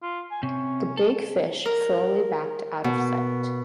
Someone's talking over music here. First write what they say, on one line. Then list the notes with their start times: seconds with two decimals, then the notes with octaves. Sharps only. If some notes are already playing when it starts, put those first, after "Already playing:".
The big fish slowly backed out of sight.
0.03 F4
0.31 G#5
0.43 C3 C#4
0.97 A4
1.66 A#4
2.84 B2